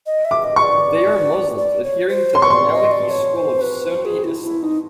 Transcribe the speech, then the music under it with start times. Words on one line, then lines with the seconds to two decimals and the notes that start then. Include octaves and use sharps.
They are Muslims, adhering to the Maliki school of Sunni Islam.
0.06 D#5
0.25 E5
0.31 D6
0.44 D#5
0.56 D#5 C#6
0.63 D5
1.58 D5
1.84 C#5
2.09 C5
2.34 C#5 C6
2.42 C#6
2.50 D5 C6
2.73 D#5
2.91 D5
3.11 C#5
3.36 C5
3.61 B4
3.87 C5
4.05 G#4
4.24 E4
4.44 E4
4.63 D#4